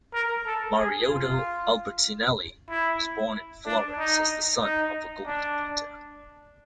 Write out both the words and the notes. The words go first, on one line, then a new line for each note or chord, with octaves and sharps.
Mariotto Albertinelli was born in Florence as the son of a gold beater.
A#4
A4
G#4
F4
E4
D4
D#4
D#4
D4